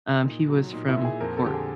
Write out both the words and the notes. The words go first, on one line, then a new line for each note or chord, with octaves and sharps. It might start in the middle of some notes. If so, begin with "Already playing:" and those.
um, he was from Cork.
A#2 D#4
F#3
A#2 D#4
E4
A#2
G#4
F2 A#4
A4
D3 G4
G#4